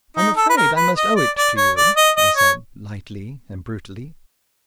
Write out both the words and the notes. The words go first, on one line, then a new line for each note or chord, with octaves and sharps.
"I'm afraid I must owe it to you," I said lightly and brutally.
D#4
A4
B4
A#4
B4
D#5
D5
D5
C#5
D5
D#5
D#5
C#5